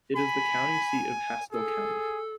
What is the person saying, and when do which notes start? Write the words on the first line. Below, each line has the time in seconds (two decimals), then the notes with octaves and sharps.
It is the county seat of Haskell County.
0.16 G#5 B5
1.52 G#4 A4